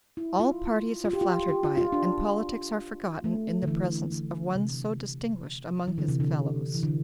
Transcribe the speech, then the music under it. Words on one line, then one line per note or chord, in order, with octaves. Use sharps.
All parties are flattered by it and politics are forgotten in the presence of one so distinguished among his fellows.
E4
F4
F4
G4
F4
G4
F4
F4
D4
A3
D3
E3
D3
C3
E3
D3
C3
D3
E3
D3